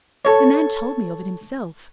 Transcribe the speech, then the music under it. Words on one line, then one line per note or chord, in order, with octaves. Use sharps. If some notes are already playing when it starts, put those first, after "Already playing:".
The man told me of it himself.
A4 C#5